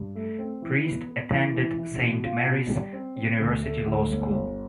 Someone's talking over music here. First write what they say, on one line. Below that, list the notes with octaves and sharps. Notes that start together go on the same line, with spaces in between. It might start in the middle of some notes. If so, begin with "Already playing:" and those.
Priest attended Saint Mary's University Law School.
Already playing: G2
A3
C4
E3
B3
B3
E3
E3
E3
B2
F4
B2
G3
C4
C4
D2
A3
D2
G1
G1